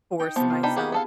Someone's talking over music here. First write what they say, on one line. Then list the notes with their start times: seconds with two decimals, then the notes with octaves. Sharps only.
force myself.
0.20 D#4 G5
0.36 C3 F3 B3
0.50 F4
0.63 D4 D#4 G5 B5
0.76 A#3 G4 G#4 F#5
0.92 B3 A4 F5